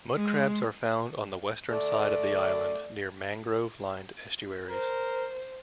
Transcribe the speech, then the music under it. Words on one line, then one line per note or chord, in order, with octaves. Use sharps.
Mud crabs are found on the western side of the island near mangrove-lined estuaries.
G#3
A3 D5
A#4 C5